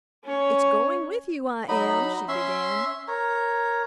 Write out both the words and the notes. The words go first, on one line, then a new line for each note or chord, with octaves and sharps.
"It's going with you I am," she began.
C#4 C#5
F#3 D#4 B5
C#4 E5 C6
A#4 C#5